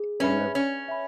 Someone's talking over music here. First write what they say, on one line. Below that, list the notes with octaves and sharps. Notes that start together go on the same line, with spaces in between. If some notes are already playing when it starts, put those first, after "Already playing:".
in a
Already playing: G#4
C#4 B4 E5 B5
C#4 C#5
E5 G#5 B5